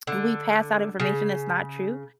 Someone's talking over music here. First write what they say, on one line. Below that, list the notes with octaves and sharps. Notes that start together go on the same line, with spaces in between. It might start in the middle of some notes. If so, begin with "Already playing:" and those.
We pass out information that's not true,
D3
C#3